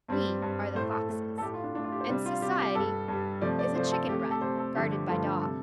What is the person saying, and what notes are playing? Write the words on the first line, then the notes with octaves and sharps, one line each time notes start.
We are the foxes, and society--is a chicken-run guarded by dogs.
G2 G3 C4
G2 G3
A2 A3 C5
A4
A2 A3
A4
A2 A3 G4
F4
D4
A2 A3 D4
F4
G4
C5
C3 G3 D4
F4
C3 G3 G4
G4
G2 G3 A4
G2 G3
C3 F3 A3 D5
D5
C3 F3 A3 C5
A4
C3 A3 G4
G4
A4
C3 A3 C5
A4
G2 D3 F3 A3 G4
G4
G2 D3 F3 A3 F4
D4
C3 G3 A4